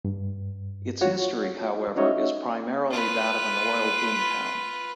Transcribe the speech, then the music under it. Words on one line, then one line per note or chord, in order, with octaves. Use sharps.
Its history, however, is primarily that of an oil boomtown.
G2
F4 F#4 C#5
C#4 D#4 F#4 C#5 D#5 E5
F4 B4